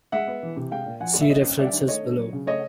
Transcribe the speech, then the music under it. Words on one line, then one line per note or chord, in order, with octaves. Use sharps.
See References below.
G#3 E5 F#5
B3
E3
C3
G#3 F5 G5
A#2
F3 F#5 G#5
A#2
E5
A#3 C#5 D#5
C#4
G3 D5 E5
D#3
A3 C#5 D#5
D4
F#3
C#3
A3 C#5 D#5